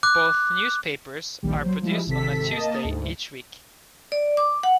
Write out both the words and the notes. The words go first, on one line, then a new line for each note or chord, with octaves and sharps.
Both news papers are produced on a Tuesday each week.
D6 F#6
A#1 D#2 G3
F#3 C5
F3 G3 G#3 E4
G#1 C3 A4 B6
A#3 D#5 A5
D2 G#2
D5
D6
F#5